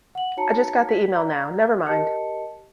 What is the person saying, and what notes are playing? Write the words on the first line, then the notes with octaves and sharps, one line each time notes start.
I just got the email now, never mind!.
F#5 F#7
D#4 F#4 C#5 A5 A#5 C#7
B6
D5 A#5
G4 A#4 D#5 A5 C#7